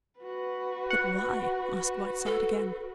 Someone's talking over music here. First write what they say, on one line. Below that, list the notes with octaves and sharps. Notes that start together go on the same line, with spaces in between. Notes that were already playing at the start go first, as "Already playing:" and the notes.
"But why?" asked Whiteside again.
F#4 B4
F#5
A4